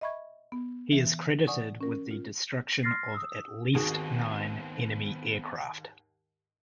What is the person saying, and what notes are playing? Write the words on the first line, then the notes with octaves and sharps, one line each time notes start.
He is credited with the destruction of at least nine enemy aircraft.
D#5 E5 B5 C#6 G#6
B3
E3
D5 F#5 G#5 C#6 D#6
C#4 A#4
F4
C6 F6 A6 A#6 C7
D#6 E6
D#2 G#2 D#3 B3 C4 F#4 G#4